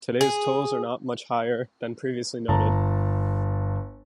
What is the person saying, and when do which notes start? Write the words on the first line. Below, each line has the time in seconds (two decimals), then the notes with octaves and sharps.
Today's tolls are not much higher than previously noted.
0.21 G#4
2.48 G1 A5 A#5